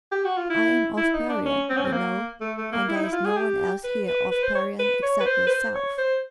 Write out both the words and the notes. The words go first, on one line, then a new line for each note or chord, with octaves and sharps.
"I am of Parian, you know, and there is no one else here of Parian except yourself."
G4
F#4
F4
E4
E4
D#4
D4
C#4
C4
C#4
C4
A#3
A3
A3
A#3
E4
D#4
E4
F4
G#4
G4
B4
B4
B4
C5
C#5
B4
C#5
B4
C5
B4
C5
C#5
C5